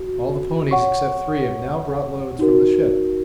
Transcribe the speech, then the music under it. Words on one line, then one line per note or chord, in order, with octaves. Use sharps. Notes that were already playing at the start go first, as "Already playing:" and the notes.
All the ponies except three have now brought loads from the ship.
Already playing: F#4
C#5 F#5 C#6
D#4 F#4 A#4